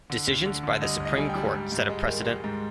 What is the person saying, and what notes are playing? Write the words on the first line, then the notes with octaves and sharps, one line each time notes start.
Decisions by the supreme court set a precedent.
D3
D2
D3
D3
G3 D#5
D2
D#5
G3 G#5
G5
G3
G#2
G#2
G#3
D#3
G#3
G#2